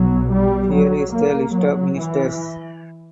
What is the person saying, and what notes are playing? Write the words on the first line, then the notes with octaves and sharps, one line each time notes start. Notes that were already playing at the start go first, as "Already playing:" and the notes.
Here is the list of ministers.
Already playing: B1 B2 F#3
G3
F#3
A#3
F#3
E3